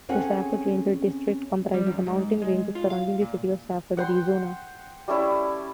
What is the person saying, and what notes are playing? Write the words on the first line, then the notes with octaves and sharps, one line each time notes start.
The Safford Ranger District comprises the mountain ranges surrounding the city of Safford, Arizona.
C4 C#4 G#4 A4 C#5 F#5
G3
F#2
G#2
G#3
F4
F5
A#2
F#5 G5 C6
G3 A3 C#4 E4